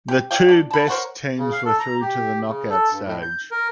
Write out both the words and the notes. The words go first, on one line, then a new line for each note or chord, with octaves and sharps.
The two best teams were through to knockout stage.
G4
D5 F5 G5
D4
A5 B5
A#4 C5 C#5 F#5
C#3
F5
A4
A#5
G4
C#3
A4
G2
A2
G6
A#4